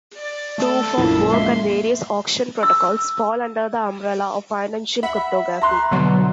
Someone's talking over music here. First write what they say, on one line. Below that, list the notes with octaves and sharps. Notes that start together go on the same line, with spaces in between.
Proof of work and various auction protocols fall under the umbrella of Financial Cryptography.
D5
A3 A4
A#1 F#2 F3 E4
G#3 A#3 E5 C6
E6
E5 F#5 B5
A#5 C6 F#6
B2 D3 F#3